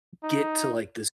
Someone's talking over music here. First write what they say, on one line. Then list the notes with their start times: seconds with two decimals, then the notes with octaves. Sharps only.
get to, like, this
0.24 D#4